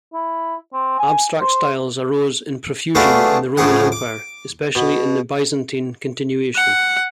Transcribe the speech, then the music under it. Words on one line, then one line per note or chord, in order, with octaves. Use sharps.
Abstract styles arose in profusion in the Roman Empire, especially in the Byzantine continuation.
E4
C4
G#5
C5
A3 B3 D4 F4 F#4 G#4
A2 C#3 F3 G#4 F#5
D6
B2
F#5